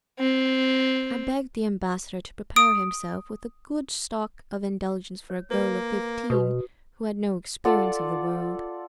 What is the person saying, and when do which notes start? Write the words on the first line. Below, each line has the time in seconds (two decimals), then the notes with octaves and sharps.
I begged the ambassador to prepare himself with a good stock of indulgence for a girl of fifteen who had no experience of the world.
0.20 C4
2.56 D#6 D7
5.30 C#5
5.51 A#3 B4
6.30 B2 F#4 B4 D#6
7.65 F4 A4 D5 F#5